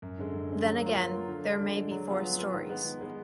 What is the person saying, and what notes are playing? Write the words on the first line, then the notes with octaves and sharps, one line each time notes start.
Then again, there may be four stories.
F#2
D3 G#3
F#2
D3 G#3
F#3
A#3 F4
F#3
A#3 F4
D3
G#3 D4
D3
G#3 D4
F#3
B3 F4 G#4
F#3
B3 F4 G#4
D#3
G#3 B3
D#3
G#3 B3